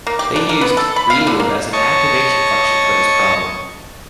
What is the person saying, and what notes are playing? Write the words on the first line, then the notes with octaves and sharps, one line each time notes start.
They used relu as an activation function for this problem.
A#3
G4
D4
A#3
B3
A4
B5
F5
D3
A#3
C#5 D#5 A5 C#6